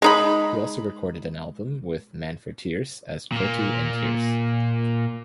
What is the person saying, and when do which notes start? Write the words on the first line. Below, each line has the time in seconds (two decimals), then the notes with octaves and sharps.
He also recorded an album with Manfred Thiers as Cretu and Thiers.
0.02 G#3 D#4 B5
3.32 A#2 A#3